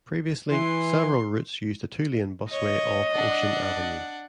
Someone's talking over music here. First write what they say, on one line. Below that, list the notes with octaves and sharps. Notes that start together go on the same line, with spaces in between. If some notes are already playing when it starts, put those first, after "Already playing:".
Previously, several routes used a two-lane busway off Ocean Avenue.
E3 C6
C#5 D#5
D4 F#5